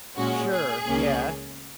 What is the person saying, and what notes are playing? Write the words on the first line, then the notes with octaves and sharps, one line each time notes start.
Sure, yeah.
A#2 G#3 C#4 F#4
G#4
C#2 C#3 A#3 C#4